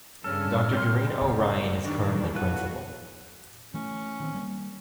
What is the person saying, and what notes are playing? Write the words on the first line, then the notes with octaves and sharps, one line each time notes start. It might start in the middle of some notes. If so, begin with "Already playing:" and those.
Doctor Doreen O. Ryan is currently Principal.
G2 C#3 C#4 A4 F6
G4 C6
F#2 C#3 D5
D#3 G3 D4 C#6
B2 E4 F#4 A4 B4 F5
E3 A3 C#4
D#3 F#3 C4
G3 A#3